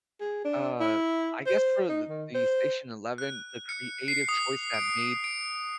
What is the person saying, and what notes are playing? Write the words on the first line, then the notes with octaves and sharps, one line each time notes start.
uh, I guess for th the Station Eleven, the creative choice that made
G#4
D4
E4
C5
D#4
D#3
C5
F#6
C#7
C7
D#6
D7
D7